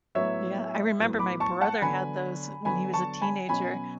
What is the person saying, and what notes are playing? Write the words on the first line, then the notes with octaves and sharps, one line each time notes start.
Yeah, I remember my brother had those when he was a teenager,
A2 F#3 B3 C#5 E5
A2 F#3 B3
B5 D6
A5 C#6
F#5 A5
D3 F#3 B3 G#5 B5
D3 F#3 B3 G#5 B5
A5 C#6
G#5 B5
B2 F#3 C#4 G#5 B5